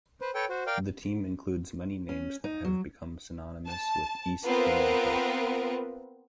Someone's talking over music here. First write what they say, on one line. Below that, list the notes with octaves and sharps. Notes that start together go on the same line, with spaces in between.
The team includes many names that have become synonymous with East Fremantle.
B4 C5
A4 B4 C#5 G5
F#4 C5
A#4 D5 F5 G5
C#4
D#4
F#3
A5
B3 C4 F4 A#4 B4